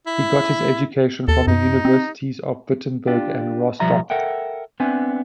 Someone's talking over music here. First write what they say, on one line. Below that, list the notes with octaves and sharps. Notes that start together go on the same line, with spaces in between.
He got his education from the Universities of Wittenberg and Rostock.
E4
D#2 A4
F#2 D#4
C4
D4 F4 G4
B1 F3 G3 E5 A#5
A4 A#4 E5 F#5 G5
B3 C4 D4 E5 G#5